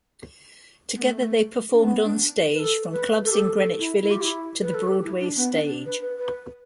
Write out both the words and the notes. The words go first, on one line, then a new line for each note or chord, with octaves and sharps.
Together they performed onstage from clubs in Greenwich Village to the Broadway stage.
B3
A3
A3
D4
B3
D4
B4
A4
B4
A4
G4
A4
A4
E4
E4
G4
E4
B4
A4
G4
E4
D4
B3
D4
D4
B4
B4
B4